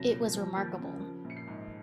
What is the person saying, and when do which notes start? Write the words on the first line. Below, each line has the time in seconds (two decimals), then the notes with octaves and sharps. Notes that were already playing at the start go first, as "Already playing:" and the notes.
It was remarkable.
Already playing: C2 F2 F#3 A#6
0.10 A#2
0.34 F3
0.57 D#2
0.79 C#3
1.02 F3
1.24 A#1
1.30 C#7
1.37 C7
1.47 G#2